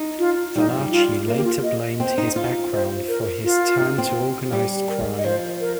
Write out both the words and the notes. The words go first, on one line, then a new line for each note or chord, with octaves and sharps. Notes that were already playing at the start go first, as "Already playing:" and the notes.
Valachi later blamed his background for his turn to organized crime.
Already playing: D#4
F4
G3 D#4
F3
G3
F4
A#3 A#4
G4
F4
D#5
C4 C5
D#4
F4
C5
A#4
F4
D#4
C4
G3 G4
A#4
D#5
F3 C5
A#4